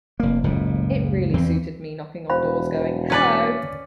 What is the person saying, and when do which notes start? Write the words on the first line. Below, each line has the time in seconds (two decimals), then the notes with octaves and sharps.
It really suited me knocking on doors going Hello!
0.20 F1 A#3
0.44 F#1 C#2 A2
1.34 E2 E3 C4
2.30 E1 C5 F5 B5
3.10 C#4 B4 D5